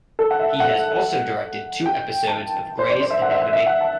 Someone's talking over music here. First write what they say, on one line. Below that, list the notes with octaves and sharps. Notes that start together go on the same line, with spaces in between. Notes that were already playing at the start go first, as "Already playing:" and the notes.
He has also directed two episodes of "Grey's Anatomy".
A4
F#5
E5
F#5
G5
A5
C5
D5
D5
E5
F#5
E5
E5
F#5
A5